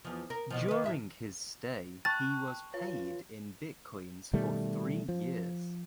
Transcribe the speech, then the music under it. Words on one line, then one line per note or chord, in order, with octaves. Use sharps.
During his stay he was paid in bitcoins for three years.
E2 F3
A#4
D#2 B2 F3
D#3 B4
D#2 A2 E5
G5 A5 C#6 F#6 A6
F4 B4 C#5
B2 D#3 G3 A3
F3